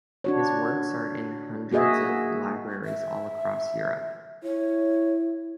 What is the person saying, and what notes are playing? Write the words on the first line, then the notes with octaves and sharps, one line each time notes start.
His works are in hundreds of libraries all across Europe.
D4 F#4 C#5
A#3 F#4 G#4 D#5 E5
E5
E4 C#5